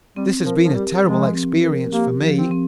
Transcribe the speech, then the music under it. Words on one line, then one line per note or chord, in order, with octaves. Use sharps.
"This has been a terrible experience for me."
G3 C4
F3 A#4
F3
G3 G4
F3 G#3
C4
A#4
A#3 G4
F3
C4
C4